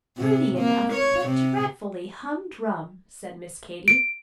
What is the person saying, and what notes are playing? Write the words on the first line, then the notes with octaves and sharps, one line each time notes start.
"Worthy enough, but dreadfully humdrum," said Miss Katy.
C3
A#3
C#5
C3
D7